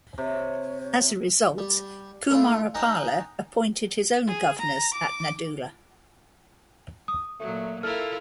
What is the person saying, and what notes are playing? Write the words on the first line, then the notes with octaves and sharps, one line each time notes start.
As a result, Kumarapala appointed his own governors at Naddula.
C3 C#5
G3
A3 D4 E4 F4
C#4 D#4 D#5 F#5 G5
G#4
A#5
D6
D#6
A#2 F#3 A3
E4 F4 A4 A#4 F6